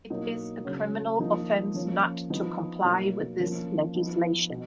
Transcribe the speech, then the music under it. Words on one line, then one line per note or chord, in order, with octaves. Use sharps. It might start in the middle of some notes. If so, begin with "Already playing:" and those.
It is a criminal offence not to comply with this legislation.
B2 F#3 A#3 D#4
C#3 F#3 C#4
F3 A#3 D#4
F3 A#3 C#4
F3 B3 D#4
B2 F#3 A#3 D#4
F3 A#3 C#4
F3 B3 D#4
B2